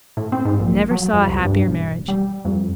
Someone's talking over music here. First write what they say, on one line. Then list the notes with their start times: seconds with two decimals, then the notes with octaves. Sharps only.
"Never saw a happier marriage."
0.17 A2
0.32 C4
0.45 G#2
0.60 A#1
0.91 F#3
1.13 F2
1.27 C2
1.44 G2
1.67 E1
2.08 G3
2.45 F2